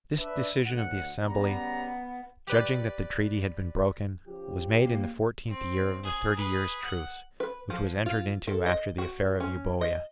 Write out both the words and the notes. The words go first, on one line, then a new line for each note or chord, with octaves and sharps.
This decision of the assembly, judging that the treaty had been broken, was made in the fourteenth year of the thirty years' truce, which was entered into after the affair of Euboea.
D4 B4 E5
D2 F#5
C#3 G3 B3 A#5
G4 B4 D5
C#3 F3 G4
A#3
C4
G#4
G#4 B4
F#5
B4
F3
F4
A4
D#5
F#4
C#4
D#5